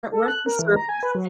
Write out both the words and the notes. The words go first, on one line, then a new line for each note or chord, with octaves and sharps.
weren't the surfers
A4
F#6
A#4
E3
A#5
G#5
B4
F#3